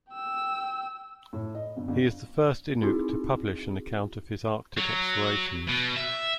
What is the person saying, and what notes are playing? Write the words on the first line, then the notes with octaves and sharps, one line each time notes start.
He is the first Inuk to publish an account of his Arctic explorations.
G5 E6
A2
D#5
G1
G1
C4 D#4 E4 F#4 G#4
F#3
B2
E5